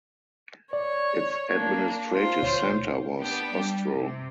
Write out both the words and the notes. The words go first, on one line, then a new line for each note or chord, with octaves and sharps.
Its administrative centre was Ostroh.
C#5 D5
A#3 D4 G#6
F4 C5
D2 B2 C#5
B3 D4 G4
G3
C3